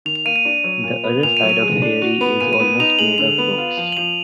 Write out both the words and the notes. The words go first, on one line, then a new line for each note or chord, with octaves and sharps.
The other side of Fairey is almost made of books.
D#3 F7
F7
A#3 D#7
D#7
D4
F#3
A#2
B3
A#2 F7
D#7
F#3
D#7
G#3
D4
F#4
B3
A#2 D#7
D#7
B3
D#4 F7
G#3 F#7
D3 F7
B3
F4
F3
F#7
F3 F7